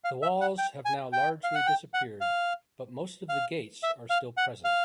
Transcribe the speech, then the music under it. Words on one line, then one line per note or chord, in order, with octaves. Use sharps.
The walls have now largely disappeared, but most of the gates are still present.
F5
E5
F#5
G5
G#5
G5
F5
F#5
G5
F#5
F5
F5
E5
F5
F#5
F5